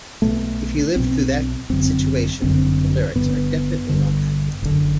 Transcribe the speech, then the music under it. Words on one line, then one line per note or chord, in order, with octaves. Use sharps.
If you lived through that situation, the lyrics are definitely not happy.
B1 B2 A3
B1 B2 C4
G1 F#2 D3 C4
G1 F#2 D3 C4
G1 G2 D3 B3
G1 G2 D3
F#1 F#2 D3